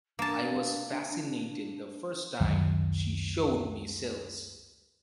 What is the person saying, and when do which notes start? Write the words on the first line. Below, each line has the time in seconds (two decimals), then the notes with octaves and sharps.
I was fascinated the first time she showed me cells.
0.19 A#3 D4 A5
2.40 C#2 F#2 D#3 F#3